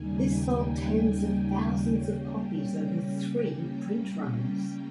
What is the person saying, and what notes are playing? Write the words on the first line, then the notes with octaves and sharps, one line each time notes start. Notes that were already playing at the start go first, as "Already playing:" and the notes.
This sold tens of thousands of copies over three print runs.
Already playing: D#2 C#3 G3 A#3 D#4 G#5
G5
G5
C#3 G3 A#3 C#4